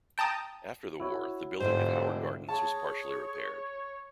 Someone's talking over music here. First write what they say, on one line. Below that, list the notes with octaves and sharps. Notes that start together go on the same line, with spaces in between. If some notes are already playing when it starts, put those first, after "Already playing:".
After the war the building at Howard Gardens was partially repaired.
G5 A5 A#5 D#6
E4 F#4 C#5
F1 G#2 D3 F4 C5
G#4 C#5 A5